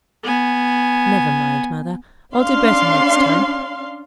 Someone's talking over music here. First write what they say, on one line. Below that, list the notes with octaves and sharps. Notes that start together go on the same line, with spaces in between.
'Never mind, Mother; I'll do better next time.'
B3 G#5
C#4 D4 F5 C6